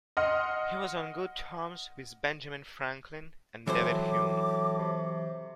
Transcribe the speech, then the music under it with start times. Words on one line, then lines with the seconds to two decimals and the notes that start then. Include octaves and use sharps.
He was on good terms with Benjamin Franklin and David Hume.
0.17 D#5 F#5 C6 F6
3.67 A2 E3 F#3 C5 D6
4.79 C3